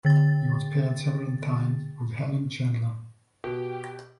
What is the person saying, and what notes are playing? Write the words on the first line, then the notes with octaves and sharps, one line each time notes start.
He was paired several times with Helen Chandler.
D3 A6
B2 G4